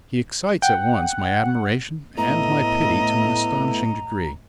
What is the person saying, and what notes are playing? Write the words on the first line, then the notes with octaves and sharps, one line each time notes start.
He excites at once my admiration and my pity to an astonishing degree.
F#5 G5
A2 A3 B3 E4 D#5 A#5